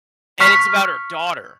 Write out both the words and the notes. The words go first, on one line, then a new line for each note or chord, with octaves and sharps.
and it's about her daughter.
C#6 F6 B6